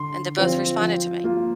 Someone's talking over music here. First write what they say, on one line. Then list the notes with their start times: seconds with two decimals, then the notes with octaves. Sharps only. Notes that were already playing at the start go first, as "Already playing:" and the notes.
and they both responded to me
Already playing: D3 C6
0.37 F3 C4 F4
0.80 F3
1.24 A#3 F4